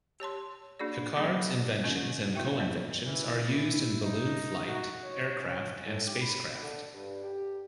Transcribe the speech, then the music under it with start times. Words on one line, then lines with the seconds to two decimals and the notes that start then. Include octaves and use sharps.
Piccard's inventions and co-inventions are used in balloon flight, aircraft and spacecraft.
0.20 G4 C#5 A5 C6
0.79 A#3 D4 F#4 G#4 D5
1.17 F#3 A#3 C4 G#4 B5
1.83 D3 A#3 C#4 F4 D#5
2.35 A#3 E4 F#4 E5 G5
2.60 B3 C4 D#5
3.05 E3
3.49 E4
4.03 D#4
4.68 F#4
5.04 C#5
5.42 C#4
5.86 A2
6.07 G4
6.22 B5
6.62 D3
6.94 G2
7.24 G4